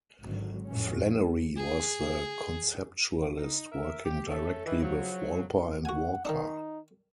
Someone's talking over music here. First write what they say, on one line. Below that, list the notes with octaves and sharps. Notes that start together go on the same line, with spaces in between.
Flannery was the conceptualist working directly with Wolper and Walker.
G#1 D3 F#3
F2 A2 C#4
G#4
D#4
A#4 E5
G4
A3 C#4 A4
D#3 E3
C#3 F3 F#3
F#4 F#5 G#5
D#3 D4 D#4